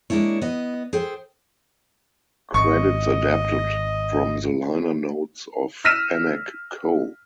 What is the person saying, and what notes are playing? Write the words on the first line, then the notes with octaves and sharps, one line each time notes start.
Credits adapted from the liner notes of "Anak Ko".
G#3 A#3 D4 E4 C#5
B3 D#5
G#4 A4 C5 G5
G#1 D#5 C#6
E6 F6 A#6 B6 D#7 E7